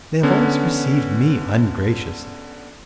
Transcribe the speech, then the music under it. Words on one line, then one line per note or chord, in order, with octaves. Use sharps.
They have always received me ungraciously.
D3 B3 C#4